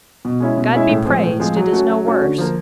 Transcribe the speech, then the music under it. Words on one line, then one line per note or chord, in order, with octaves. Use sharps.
'God be praised it is no worse!
B2
G#3 C#4 E4
B2
G#3 C#4 E4
A2
F3 G#3 C4
A2
F3 G#3 C4
F#3
A3 C#4 F#4
F#3
A3 C#4 F#4
D3
F3 A#3